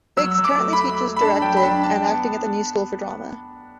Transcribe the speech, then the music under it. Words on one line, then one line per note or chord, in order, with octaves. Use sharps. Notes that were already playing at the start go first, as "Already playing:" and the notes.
Biggs currently teaches directing and acting at The New School for Drama.
F#3 E6
F#3
D6
A3
B5
A3
A3
B5
D4 A5
F#3 G5
B5
D4 A5
D4 A5
B3